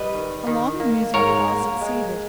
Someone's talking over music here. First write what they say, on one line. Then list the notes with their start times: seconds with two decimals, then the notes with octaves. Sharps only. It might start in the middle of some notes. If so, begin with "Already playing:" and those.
A long and musing pause succeeded.
Already playing: G3 B4 D#5
0.14 D#3
0.47 D#3
0.80 A#3
1.14 G#2 A#4 C#5
1.48 A#3
1.81 G#3